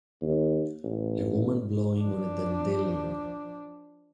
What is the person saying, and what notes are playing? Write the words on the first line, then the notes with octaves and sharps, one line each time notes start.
A woman blowing on a dandelion.
D#2
A1
F3 D4